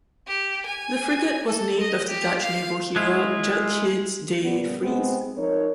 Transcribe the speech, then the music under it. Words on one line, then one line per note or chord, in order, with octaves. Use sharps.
The frigate was named after Dutch naval hero Tjerk Hiddes de Vries.
G4
G#5
A4
D#5
G4
F5
G#3 E4 F4
A#2 C#3 G3 B3
C3 G#3 B3 C4
F3 D#4 A#4 C#5